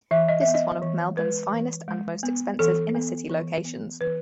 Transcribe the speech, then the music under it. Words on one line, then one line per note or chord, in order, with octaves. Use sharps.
This is one of Melbourne's finest and most expensive inner-city locations.
E3 E5
D#5
E5
B3
D#5
E3
G#3 B4
E3
G#3
B3
E3 A4
B3
E3
B3
E3 B4